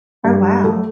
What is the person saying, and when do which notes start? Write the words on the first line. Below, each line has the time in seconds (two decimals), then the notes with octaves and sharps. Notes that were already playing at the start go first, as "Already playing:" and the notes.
Oh wow.
0.24 G2
0.64 A3